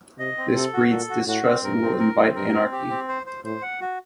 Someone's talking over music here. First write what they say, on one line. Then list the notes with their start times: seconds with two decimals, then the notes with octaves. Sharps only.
This breeds distrust and will invite anarchy.
0.18 C3 D#5
0.37 C4
0.55 C3 A4
0.73 F#4
0.91 A#2 A4
1.09 F#4
1.27 A2 F#4
1.45 C4
1.63 G2 A#4
1.82 C4
1.99 A#4
2.18 C4
2.35 G2 A#4
2.54 C4
2.72 G4
2.90 C4
3.08 C5
3.26 C5
3.44 A2 C5
3.62 F#5
3.81 F#4